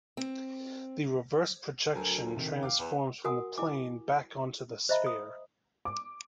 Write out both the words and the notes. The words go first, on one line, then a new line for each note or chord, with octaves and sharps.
The reverse projection transforms from the plane back onto the sphere.
C4
D2 F#3 A#4 G#5
C3 D#3
F5 G5 D6
E2 B4
F#4 A#4 F#5 G#5 D#6
E4 G#5 D6
C5 D#5 E5 A#5 B5
D#6
D6